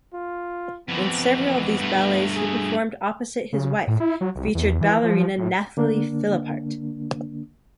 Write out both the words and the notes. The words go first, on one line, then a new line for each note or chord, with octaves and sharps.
In several of these ballets he performed opposite his wife, featured ballerina Nathalie Philippart.
F4
F2 E3 B3
G2 A3
G#4
C#3
A2
E4
F#3
C2
E2
E3
F3
A2
D3 A#3 D4